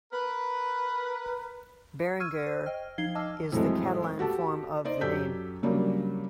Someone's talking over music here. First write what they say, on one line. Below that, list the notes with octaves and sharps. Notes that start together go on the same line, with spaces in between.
Berenguer is the Catalan form of the name.
A#4 B4
C#6 E6 F6 G#6 D#7
C5
D#5 G5 F6
F3 D#4 F5 G#6 C7 G7
D#5 A5 D6 E6 F6
F2 A2 E3 F#3 G#3 A3
F#4 G4 A4 A5
D#4 C5 D5 D#5
F#2 G4 A4 G6 B6
C#3 F#3 G3 A#3 D4